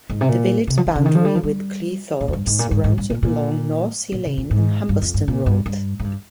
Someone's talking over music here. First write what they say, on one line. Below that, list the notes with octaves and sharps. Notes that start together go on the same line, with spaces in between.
The village's boundary with Cleethorpes runs along North Sea Lane and Humberston Road.
G#2
C3
A#2
C3
F3
D#3
C#3
D#3
F3
G3
F3
G3
A#2
F2
G2
G#2
A#2
G#2
G#2
G2
A#2
A#2
A#2
C#3
A#2
G#2
G2
F2
G2
A#2
G2
G2
G#2
G2